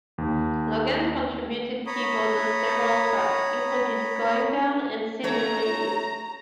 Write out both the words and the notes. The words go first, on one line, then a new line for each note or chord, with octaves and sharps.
Logan contributed keyboards on several tracks, including "Goin' Down" and "Sydney Ladies".
D#2
C#5 A#5 B5 D#6
A3 C#4 C#5 A#5